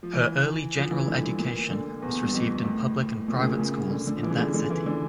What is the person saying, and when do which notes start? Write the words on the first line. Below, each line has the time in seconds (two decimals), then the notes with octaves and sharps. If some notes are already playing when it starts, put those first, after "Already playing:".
Her early general education was received in public and private schools in that city.
0.03 F3
0.13 E3
0.76 F3
0.91 E3
1.07 D3
1.23 G2
1.39 A#2
1.70 D3
2.02 E2
2.23 G2
2.34 F2
2.65 A2
3.28 A#2
3.35 C#3
3.43 A#2
3.59 C#3
3.90 D3
4.07 D3
4.16 F3
4.23 E3
4.30 C#3
4.38 D3
4.54 D3
4.70 E3
4.86 D3